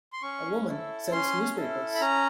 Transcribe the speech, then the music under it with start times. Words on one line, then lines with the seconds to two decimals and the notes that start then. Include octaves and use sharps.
A woman sells newspapers.
0.13 C6
0.22 C#4 C#6
0.66 E4 A4
1.12 C#4 C6
1.56 E4 A4
1.95 B5
2.01 C#4 A#5